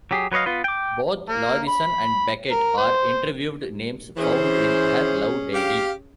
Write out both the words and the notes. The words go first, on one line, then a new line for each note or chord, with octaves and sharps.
Both Lorrison and Backett are interviewed, names found in her love diary.
F#3 G4 G#4
F#3 B4 C#5 D#5 F5
B3 F4 B4
G5 D6
A#3
B5
A#4
C5
E3 C#4 G#4 C5
G4 F5